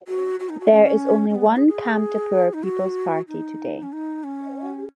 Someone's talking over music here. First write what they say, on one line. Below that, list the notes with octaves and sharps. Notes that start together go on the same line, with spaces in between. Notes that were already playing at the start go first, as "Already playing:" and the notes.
There is only one Kamtapur People's Party today.
F#4
F#4
D#4
F#4
D#4
C#4
C#4
B3
G#3
G#4
G#4
D#4
F#4
D#4
C#4
D#4
C#4